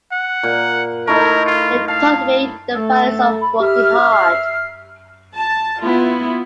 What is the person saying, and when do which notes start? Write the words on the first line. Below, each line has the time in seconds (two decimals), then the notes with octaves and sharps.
They taught me the values of working hard.
0.12 F#5
0.43 A#2
1.07 A3 D#4 E4 A#4
1.46 F4
1.88 F5 A5
2.74 A3 A4
3.41 B5
3.60 G4 E5 F6
3.99 C#6
4.12 C7
5.34 A5
5.82 B3 E4 F4